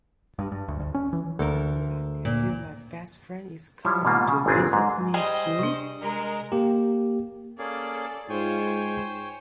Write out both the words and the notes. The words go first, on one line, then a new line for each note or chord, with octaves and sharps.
Did I tell you my best friend is coming to visit me soon?
G2
G2
D2
D2
C#4
E3
D2 A4 A#4
A#2
F3 G3 E4 C5 C#5
G#2 B2 G3 A#3 F4
C#3
G1 A#2 C4 D4 G#4
G#2
G3 G#4 C5 D#5 G#5
C3 D4
G#3 A#4
A#3 G4
A#3 C#4 G#4 A4 D5
G#2 F4 C5 C#5 G5 G#5
C5